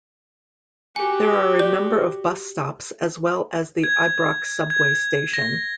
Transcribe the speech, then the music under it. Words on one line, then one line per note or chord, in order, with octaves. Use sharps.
There are a number of bus stops as well as the Ibrox Subway station.
F#4 G4 G#5
D5
G#6
G#6
A#6